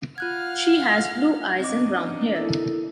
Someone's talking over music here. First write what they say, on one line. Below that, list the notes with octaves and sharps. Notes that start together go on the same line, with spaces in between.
She has blue eyes and brown hair.
F4 F5 F#5 F6 F#6 G#6
B3 C4 D4 D#4 D#5 D6
E4 A4 A#4